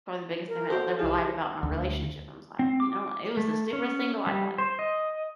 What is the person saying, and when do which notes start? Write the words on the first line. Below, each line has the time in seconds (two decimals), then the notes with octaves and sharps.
probably the biggest thing that was ever lied about in our relationship. I was like, "You know, it was the stupidest thing to lie about.
0.48 A#4
0.70 F#4 A4 C5
0.99 C2 E4 G4 G#4
1.63 D2
2.59 C4
2.80 D6
3.37 A3
3.73 C#4
4.27 G3
4.58 C5
4.79 D#5